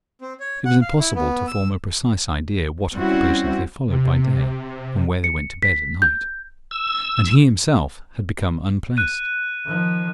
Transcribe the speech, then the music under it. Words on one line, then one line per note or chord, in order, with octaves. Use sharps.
It was impossible to form a precise idea what occupations they followed by day and where they went to bed at night. And he himself had become unplaced.
C4
C#5
F#5
F5
E4
B3
E6
G3 C4 C#4 E4 F#4
C3
C#7
B6
G6
E6
F#6 D#7
D#3 F3